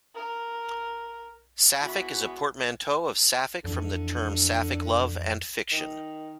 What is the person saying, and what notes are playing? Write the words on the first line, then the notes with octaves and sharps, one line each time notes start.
"Saffic" is a portmanteau of Sapphic from the term Sapphic love and fiction.
A#4
E3 F#4 B5
F2 D3 E3
D#3